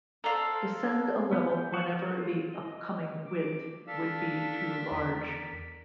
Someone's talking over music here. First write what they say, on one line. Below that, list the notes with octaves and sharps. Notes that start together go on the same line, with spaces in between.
Descend a level whenever the upcoming width would be too large.
A4 C5 D5 F5 A#5
B3
G6
F#4
A#4
F4
D#5
D6
D4 A4 F5 E6 B6
E2 A#4 D5